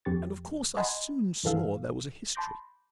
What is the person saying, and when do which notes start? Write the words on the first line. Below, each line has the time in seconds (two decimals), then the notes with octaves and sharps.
And of course I soon saw there was a history.
0.05 F2 G4 C#6 A6
0.77 D#5 F#5 G#5 A5 B5 C6
1.43 C2 G2 E3 A4 F5 E6
2.35 A5 B5 C6 D6 G6 A#6